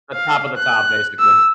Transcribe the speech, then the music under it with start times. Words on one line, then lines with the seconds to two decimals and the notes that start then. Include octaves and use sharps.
The top of the top, basically.
0.14 F5
0.57 F#6
1.20 E6